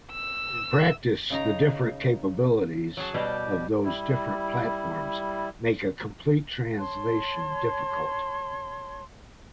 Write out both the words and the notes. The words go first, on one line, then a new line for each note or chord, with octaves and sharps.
In practice, the different capabilities of those different platforms make a complete translation difficult.
E6
C#3 D#4 A#5
F#3 G#4 A5
B2 G3 G4
G3 E4
C#5 A5 C6